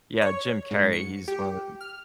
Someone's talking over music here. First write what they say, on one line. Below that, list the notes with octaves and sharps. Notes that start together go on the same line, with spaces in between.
Yeah, Jim Carrey. He's one of the,
C#5
G#2
C#7
G4
F6